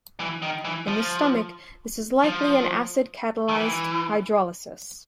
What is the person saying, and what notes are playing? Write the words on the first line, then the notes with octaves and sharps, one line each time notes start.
In the stomach, this is likely an acid-catalyzed hydrolysis.
E3
D#3
E3
F3
F3
D#3
E3